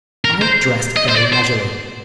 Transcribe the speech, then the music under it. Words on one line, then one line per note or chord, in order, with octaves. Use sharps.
I dressed very leisurely.
A#4
C5
D#5
C5
D5
C5